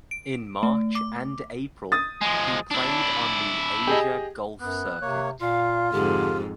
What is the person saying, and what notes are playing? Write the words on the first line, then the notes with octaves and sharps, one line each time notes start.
In March and April he played on the Asia Golf Circuit.
D7
A3
D6
D#6 A6
F3 G#3
D4 E4
G4 G#4 D#5
F#2 B3 F#6
C3 A#3 C#5
A#2 F4 F5
F2 G#2 D3 G4